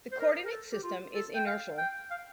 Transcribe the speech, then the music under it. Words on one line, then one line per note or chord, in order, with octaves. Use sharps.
The coordinate system is inertial.
C5
A#4
A#4
A4
G4
F4
A4
G5
F5
G5
F5